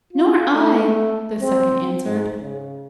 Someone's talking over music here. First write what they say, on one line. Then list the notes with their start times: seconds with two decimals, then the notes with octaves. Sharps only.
"Nor I," the second answered.
0.13 F4
0.53 A3
1.40 C4
2.05 G#2
2.40 C#3